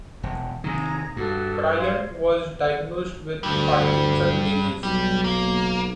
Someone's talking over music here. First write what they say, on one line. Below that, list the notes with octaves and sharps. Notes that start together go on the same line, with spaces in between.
Bryant was diagnosed with Parkinson’s disease.
E1
C3 D#3 G#4 A#5 G#6
G2 F#4 A4
C5 F5 G#6
D2 G2 G3
B1 G3
A#3